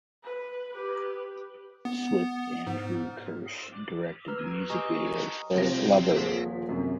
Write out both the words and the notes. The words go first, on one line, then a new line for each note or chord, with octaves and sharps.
Swift and Drew Kirsch directed the music video for "Lover".
B4
G4 B4
B3
G#2
B4 A#5 E6 F6
G4 D#5 G#5 A#5 C#6 D#6
C3 F3 G3 C5 A#6
D#1 F3 G#4 A4 B6
F#2 C3